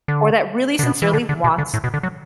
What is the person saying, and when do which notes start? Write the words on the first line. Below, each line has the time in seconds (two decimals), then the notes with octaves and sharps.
or that really sincerely wants
0.08 D3
0.79 D3
0.83 B2
1.02 E3
1.13 D3
1.29 D3
1.44 B2
1.58 D3
1.74 A2
1.84 B2
1.94 D3
2.03 F#3